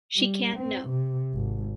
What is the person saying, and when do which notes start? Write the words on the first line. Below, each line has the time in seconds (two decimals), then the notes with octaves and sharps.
She can't know.
0.17 G3
0.56 C4
0.88 C3
1.34 G#1